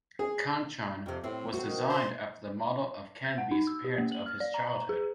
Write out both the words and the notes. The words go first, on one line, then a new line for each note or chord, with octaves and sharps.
"Kanchan" was designed after the model of Kanbe's appearance of his childhood.
G#4
F2 C3
A2 C4
C4 F#4
D#3
C5
G6
F#5
D#4
E6
G4
A#3
F#7
F6
D5
A#5
A#5
G#4